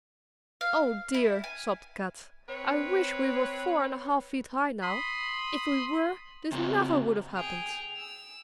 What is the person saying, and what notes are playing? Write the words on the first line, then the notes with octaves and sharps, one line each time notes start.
"Oh dear," sobbed Kat, "I wish we were four and a half feet high now! If we were, this never would have happened."
F5
E4
G#5
C4 B4 C#5
B5 C6 D#6
C#3 C4 F4 F#4
G#4 G5 F7
E6